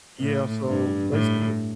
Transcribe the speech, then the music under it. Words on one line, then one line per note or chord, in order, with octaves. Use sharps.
Yeah, so basically
A2
G2
A2